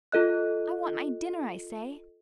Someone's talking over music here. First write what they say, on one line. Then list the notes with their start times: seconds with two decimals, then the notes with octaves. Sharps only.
"I want my dinner, I say."
0.12 F4 A4 D#5 F#6